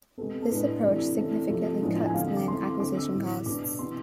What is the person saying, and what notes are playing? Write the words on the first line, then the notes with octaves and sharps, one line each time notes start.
This approach significantly cuts land acquisition costs.
C3 G#3 B3 A4
A4
A2 G#3 D4 B4
C3 E3 A3 D4 D5
E3 A3 C4
C3 F3 A3
A2 F3 G#3 B3 D4
G#5
D3 A3 C4 F5
D6
E3 A3 C4 C6
D6
D3 A3 C4 D6
E6
A2 E3 A3
B2 B3 D4 D6
C3 E3 B3 C6